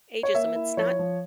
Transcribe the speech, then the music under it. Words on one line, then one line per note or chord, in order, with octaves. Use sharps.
ageism it's not
C#5
A#3 E5
E4
F3 C#5
F3